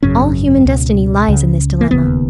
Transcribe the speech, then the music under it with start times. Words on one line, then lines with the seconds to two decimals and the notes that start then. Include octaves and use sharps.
All human destiny lies in this dilemma.
0.03 G#1 F#2 C#3 C#4
0.65 C#2 B2
1.28 C#2 C#3
1.81 A#3
1.91 E1 D#2 C#3 B3